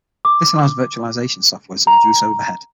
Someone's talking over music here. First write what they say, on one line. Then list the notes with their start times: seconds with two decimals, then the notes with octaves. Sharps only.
This allows virtualization software to reduce overhead.
0.25 D6
1.87 A#5